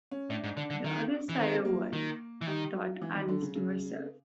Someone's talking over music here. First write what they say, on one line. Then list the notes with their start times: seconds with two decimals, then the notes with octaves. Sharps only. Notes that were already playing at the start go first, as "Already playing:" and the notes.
The other side of what?’ thought Alice to herself.
0.11 C#4
0.30 A2 D4
0.44 G#2
0.57 D3 D4
0.70 D3
0.85 D#3
1.29 E3
1.38 D#3 C4
1.65 A#3
1.93 D#3
2.41 E3
2.47 D#3 G3
2.74 F#3
3.02 E3
3.15 D#3
3.28 D3
3.42 C#3
3.55 C#3